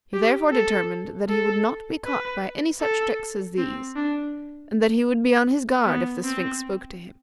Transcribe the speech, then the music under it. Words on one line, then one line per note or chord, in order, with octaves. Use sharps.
He therefore determined that he would not be caught by any such tricks as these, and that he would be on his guard if the Sphinx spoke to him.
G4
A4
A4
B4
A4
C4
D4
B3
C4